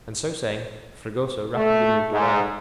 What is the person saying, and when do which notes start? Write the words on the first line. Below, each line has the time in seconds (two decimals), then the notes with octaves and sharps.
And so saying Fragoso rapidly moved away.
1.56 A3
2.12 G#2